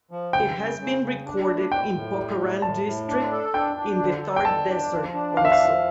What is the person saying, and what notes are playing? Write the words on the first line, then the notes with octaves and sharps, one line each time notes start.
It has been recorded in Pokaran district in the Thar desert also.
F3
C#3 G5
C#3
C#3
C#3
D4
A2
A2 G5
A2
G3
A2
A2 A5
A2
D4
A4
D4 G5
D4
D3
A4
G5
G3 A5
D4
F3
D4
F3 F5
E5
F5
F3